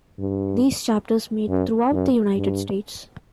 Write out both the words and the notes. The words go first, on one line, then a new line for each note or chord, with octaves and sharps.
These chapters meet throughout the United States.
G2
F#2
F#2
G2